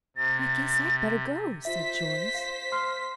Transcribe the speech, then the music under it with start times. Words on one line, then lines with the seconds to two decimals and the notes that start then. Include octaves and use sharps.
"I guess I'd better go," said Joyce.
0.17 C3 A6
1.65 F4 C5 E5 B6
2.35 F5
2.72 C6 F6 C7